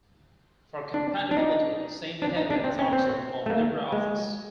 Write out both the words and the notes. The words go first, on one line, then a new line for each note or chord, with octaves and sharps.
For compatibility, the same behavior is observed on LibreOffice.
D4
D4
D#4
D4
D#4
D4
C4
C#4
C4
A3
A#3
G#3